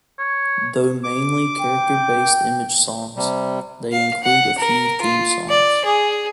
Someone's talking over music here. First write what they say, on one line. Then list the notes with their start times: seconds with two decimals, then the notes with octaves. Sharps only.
Though mainly character-based image songs, they include a few theme songs.
0.19 C#5
1.03 D6
1.60 G5
3.16 C3 G3
3.92 F5
4.23 F#5
4.58 A#4
5.01 F4
5.49 D5
5.85 G#4